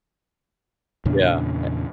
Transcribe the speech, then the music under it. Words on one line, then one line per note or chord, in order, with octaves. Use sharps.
Yeah, eh
E2 A#2 C#3 D4